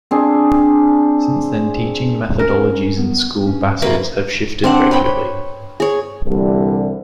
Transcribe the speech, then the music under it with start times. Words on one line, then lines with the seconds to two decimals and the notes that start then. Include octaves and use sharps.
Since then, teaching methodologies in school basals have shifted regularly.
0.11 C4 D4 G#4
2.39 C#4 A#4
2.97 B3
3.46 C#4
3.82 C3 A#3 F#4 B4
4.64 C4 D4 F#5
4.91 B4 C#5 G5 B5
5.80 G#4 C#5
6.25 C2 D3 E3 G3